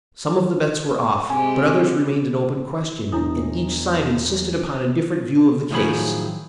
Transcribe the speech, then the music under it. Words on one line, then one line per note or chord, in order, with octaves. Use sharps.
Some of the bets were off, but others remained an open question, and each side insisted upon a different view of the case.
C3 G#3 C4 G4 G#5
E1 D4 E4 A#5 D#6
A2 D#3 F3 F#3 G#4 B5